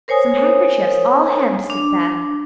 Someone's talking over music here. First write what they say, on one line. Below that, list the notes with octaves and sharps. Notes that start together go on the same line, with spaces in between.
"Some handkerchiefs, all hemmed," said Beth.
A#4 C5 C#5 G#5 D#6
D4